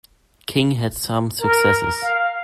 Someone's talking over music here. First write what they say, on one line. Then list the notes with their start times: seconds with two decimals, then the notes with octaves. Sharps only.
King had some successes.
1.41 A#4
2.02 F5